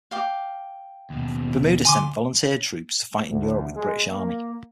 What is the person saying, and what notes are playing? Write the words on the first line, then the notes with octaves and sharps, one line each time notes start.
Bermuda sent volunteer troops to fight in Europe with the British Army.
F5 G5 D6
D#2 B2
D2 G#5 C6 D6
D2
G#3
A#3